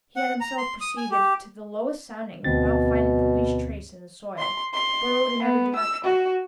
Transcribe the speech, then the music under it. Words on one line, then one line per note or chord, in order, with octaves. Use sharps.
He had himself proceeded to the lowest soundings without finding the least trace in the soil, burrowed in every direction.
F#5
A#5
C6
D#6
G#5
G4
D2 B2 C4 A6
C6
C6
B3
E6
F#4